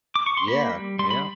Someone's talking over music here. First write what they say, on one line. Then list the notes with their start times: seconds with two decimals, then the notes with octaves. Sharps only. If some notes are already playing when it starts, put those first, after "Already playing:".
Yeah. Yep.
0.15 D6
0.26 C#6
0.37 C6
0.47 A#3 B5
0.73 G3
0.99 G3 C6
1.10 B5